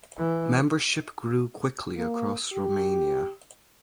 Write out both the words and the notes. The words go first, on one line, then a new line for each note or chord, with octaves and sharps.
Membership grew quickly across Romania.
E3
A#3
G4